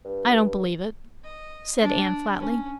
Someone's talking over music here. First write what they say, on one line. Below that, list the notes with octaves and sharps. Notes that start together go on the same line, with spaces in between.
"I don't believe it," said Anne flatly.
G2
D#5
D4
C#4